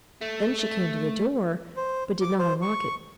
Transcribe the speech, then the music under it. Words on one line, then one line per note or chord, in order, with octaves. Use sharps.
Then she came to the door, but did not unlock it.
A3
C5
D6
C5
C#6